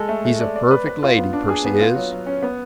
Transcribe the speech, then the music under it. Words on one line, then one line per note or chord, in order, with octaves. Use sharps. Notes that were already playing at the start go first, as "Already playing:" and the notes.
He's a perfect lady, Percy is.
Already playing: G#3 A4
A3
A3
D5
D5
B4
B4
F4
B3
D4
G#4
B3
F4
F#3
F#3
C#4
B3